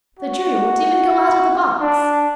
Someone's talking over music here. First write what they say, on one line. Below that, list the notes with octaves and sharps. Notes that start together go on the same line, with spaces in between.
"The jury won't even go out of the box."
F#4
D4